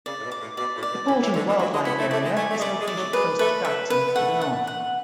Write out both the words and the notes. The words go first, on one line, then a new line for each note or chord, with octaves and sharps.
The Coalton Wildlife Area is located close to Jackson to the north.
C#3 D5
A2
B2
D6
A2
B2 D5
A2
D5
B2
D3 E4
E3
D3 C#5
E3
F#3 E4
G#3
B3 E4
A3
A3 D5
G#3
A3 G#5
A3
G#3
A3 D5
G#3
D5
F#3
G#3 B4
A3 B4
A3 E5
B3 B4
B3
A3 F#5
F#5
F#5